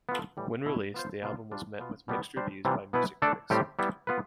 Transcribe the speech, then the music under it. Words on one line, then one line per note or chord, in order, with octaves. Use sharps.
When released, the album was met with mixed reviews by music critics.
B3 F4 A4
A2 E3 G3
B2 B3 E4 A4
B3 F4 C5
B2 B3 F4
G3 D4 F4
B2 B3 F4
B2 G3 B3
G3 D4 G4 C5
C3 E3 G3 B3 F4
B2 B3 E4 B4
A3 D4 A4 D5
A2 G3 C4 G4 C5
G3 B3 E4
B3 F4 B4